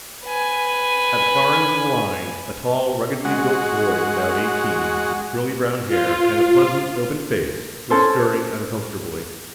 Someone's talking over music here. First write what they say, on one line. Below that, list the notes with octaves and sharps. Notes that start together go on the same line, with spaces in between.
At the far end of the line, a tall, ruggedly built boy of about eighteen, with curly brown hair and a pleasant, open face, was stirring uncomfortably.
B4 G#5
G#3 F#4
F4
C#4 E4 A4 C5